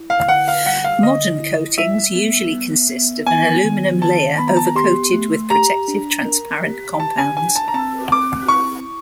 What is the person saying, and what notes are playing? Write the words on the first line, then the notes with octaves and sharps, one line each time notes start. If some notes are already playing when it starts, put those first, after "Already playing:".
Modern coatings usually consist of an aluminum layer overcoated with protective transparent compounds.
Already playing: E4
F5
D3 F#5
F5
G3 F#5
F5
D3 D#5
E4
G3 E5
B3
B3
B3
B3 G#5
D#3
D#3 A5
B3 B5
A#5
A5
A#5
G4 C6
A3
G4 A#5
D4
A#4
G4
G4 A5
G#5
D4 G#5
A5
A#5
C4 A5
C4 D6
E4 C#6